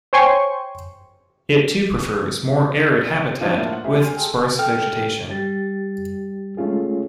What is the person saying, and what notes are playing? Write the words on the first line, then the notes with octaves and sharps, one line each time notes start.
It too prefers more arid habitat with sparse vegetation.
C5 C#5 G5 G#5 C6 C#6
F3 F#3 C4 D4 D#4 F4
A2 A#3 D4 E4 F4
F#5
G#3 A3 C4 E4 G4 G#4
G#5 C6 F6
G#4 A4 G5
A4 G5 F6
G3 G4 A6
G#3 A3 C#4 F4 G#4